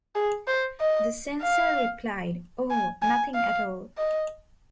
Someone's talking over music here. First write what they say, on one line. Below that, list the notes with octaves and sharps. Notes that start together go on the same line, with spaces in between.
The censor replied, Oh, nothing at all.
G#4
C5
D#5
F5
G#5
G#5
F5
D#5